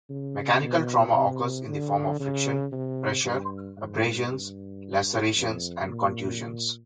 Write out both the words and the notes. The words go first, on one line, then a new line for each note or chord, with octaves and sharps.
Mechanical trauma occurs in the form of friction, pressure, abrasions, lacerations and contusions.
C#3
B2
C3
D3
C#3
C3
G2
G#2
G2
F2
A#2